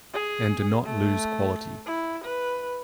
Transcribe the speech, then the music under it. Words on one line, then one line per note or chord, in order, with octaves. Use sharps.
And do not lose quality.
G#4
A3
E4
B4